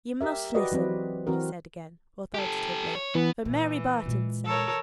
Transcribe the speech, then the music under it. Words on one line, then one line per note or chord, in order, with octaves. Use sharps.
"You must listen," she said again, authoritatively, "for Mary Barton's sake."
G4 A#4 E5
F#4 G4 B4 D5 D#5
E3 F#3 C4 B4
E3 C4 F#4 A#4
G4 A4
C#5
E3 B3
A#2 E3
A#2 G#3
A4 A#4 C#5